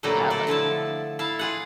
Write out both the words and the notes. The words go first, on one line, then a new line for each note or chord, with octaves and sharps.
Yeah, like
A#2 D3 F#3 G3 A3 A#3
B2 A4 D5
D3 F3 E4 A5
E4 F5 A5
F4 G#4 F#5